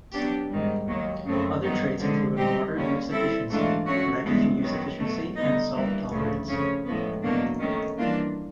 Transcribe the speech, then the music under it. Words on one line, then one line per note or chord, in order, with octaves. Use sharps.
Other traits include water use efficiency, Nitrogen use efficiency and salt tolerance.
F#3 B3 D4 G4
G#2 D#3 G3
D#2 D#3 F#3 A#3
F#2 C#3 F3 A3 C4
G2 D#3 F#3 B3 D#4
F2 D3 F3 G#3
G3 C4 D#4 G4
D#2 D3 G3 A#3 C#4
G3 C4 E4 A4
G#2 E3 A3 D4 F4
F#3 A3 C#4 F#4
G2 E3 G#3 B3
F#2 D#3 F#3 B3
B2 F#3 A3
D3 G3 B3 D#4
G2 E3 G3 A#3
D2 C#3 F3 A3
F2 C#3 F3 A3 C#4
A2 F3 G#3 B3
E2 B2 F#3 A#3 D4
D#3 F#3 A3 C#4
E3 G3 A#3 D4 F4